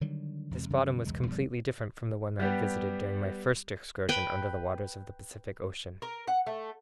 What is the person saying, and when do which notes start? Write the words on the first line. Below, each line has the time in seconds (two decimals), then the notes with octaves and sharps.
This bottom was completely different from the one I had visited during my first excursion under the waters of the Pacific Ocean.
0.01 D3 D#3 F#3 G3
0.51 E2 C3 G#3
0.70 F#2 C#3 E3 G3
1.05 B1 E2 C#3 G#3
1.27 G2 B2 F3 G3
2.40 G3 B3 G4
4.09 B4 G5
6.02 A#4
6.28 F#5
6.46 A3